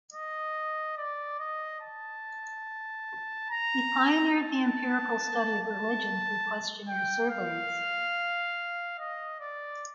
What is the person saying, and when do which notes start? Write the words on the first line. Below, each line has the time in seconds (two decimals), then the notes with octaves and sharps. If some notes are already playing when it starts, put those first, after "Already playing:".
He pioneered the empirical study of religion through questionnaire surveys.
0.13 D#5
0.98 D5
1.39 D#5
1.81 A5
3.50 A#5
4.34 A5
5.61 A5
6.88 G5
7.29 F5
8.99 D#5
9.40 D5